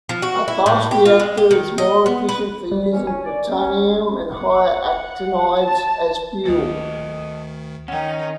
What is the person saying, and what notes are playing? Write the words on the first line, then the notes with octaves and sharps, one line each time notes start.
A fast reactor is more efficient for using plutonium and higher actinides as fuel.
F3
F#4
E4
A2
G4
F4
G#3
G4
D#3
D#5
B3
B4
G3
D#2 E3 C#4
C#4 G#5
D5
C#4
F#5
A5
D2 D#3 A#3 A4 B4 D#5
D#3 C#4 D#4 F#5 G5